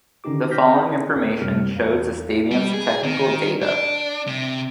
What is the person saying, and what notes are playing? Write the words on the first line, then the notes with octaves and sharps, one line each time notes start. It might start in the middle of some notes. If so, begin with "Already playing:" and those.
The following information shows the stadium's technical data.
D3 D#3 C#4 D#4 G4 D6
D6 F6 G6 A#6 B6
G#4
D2 B3 A#4
F#2 C3 G3 F6
E2 F5
G3
G#4
D#3
D4
C3